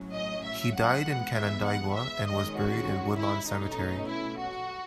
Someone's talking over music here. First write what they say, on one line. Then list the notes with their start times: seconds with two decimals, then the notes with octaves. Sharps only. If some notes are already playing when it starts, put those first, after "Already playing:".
He died in Canandaigua and was buried at Woodlawn Cemetery.
Already playing: A2 F#3 C#4
0.13 D#5
0.45 E5
0.75 F#5
1.05 E3 G#3 B3
1.36 E5
1.66 F#5
1.95 E5
2.26 D#3 G#3 C#4 D#5
2.57 F#4
3.17 E4
3.48 B2 A3 C#4 D#4
4.09 E4
4.39 F#4